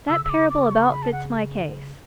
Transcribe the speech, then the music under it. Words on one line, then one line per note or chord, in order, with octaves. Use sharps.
That parable about fits my case.
C#3 E6
C#3 E6
D6
C#3
C#3 D6
C#6
B5
A5
F#5
D3
C#3